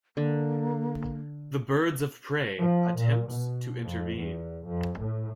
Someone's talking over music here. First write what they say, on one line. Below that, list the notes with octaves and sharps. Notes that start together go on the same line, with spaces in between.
The Birds of Prey attempt to intervene.
D3 A#3
F3
A#2
B2
F2
E2
F2
A2